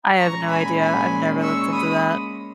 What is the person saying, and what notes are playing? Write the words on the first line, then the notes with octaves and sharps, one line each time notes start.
I have no idea; I've never looked into that.
A#2 G#3 C#4 A#5 C#6
G#5 B5
G#5 B5
C#6 E6
B5 D#6